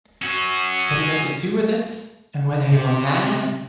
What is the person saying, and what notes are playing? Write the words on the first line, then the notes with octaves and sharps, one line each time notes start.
What he meant to do with it, and whether he were mad?
C#4 F#4
C3